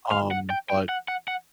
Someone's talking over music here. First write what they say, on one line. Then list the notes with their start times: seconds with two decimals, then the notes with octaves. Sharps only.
um, but
0.12 F5
0.31 F#5
0.50 G5
0.70 G5
0.89 F#5
1.08 F#5
1.28 F#5